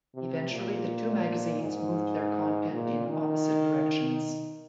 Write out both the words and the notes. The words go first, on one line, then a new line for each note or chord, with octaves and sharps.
Eventually, the two magazines moved their content in opposite directions.
C3
A#2
G#2
A#2
D#3